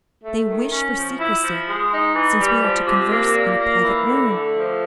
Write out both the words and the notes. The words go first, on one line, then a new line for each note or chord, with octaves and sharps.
They wish for secrecy, since we are to converse in a private room.
A3
D#3
C#4
F3
E4
F3
G#3
D#4
E3
G3
F3
C3
A#3
A#2
A#3
E3
D3
A3
F3